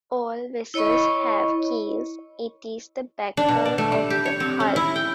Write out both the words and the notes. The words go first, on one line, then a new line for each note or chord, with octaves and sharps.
All vessels have keels, it is the backbone of the hull.
E4 C#5 D#5 B5 C#6
D4
B2
D5
A3
G3
G4
C#5
C4
C#4
E4
G5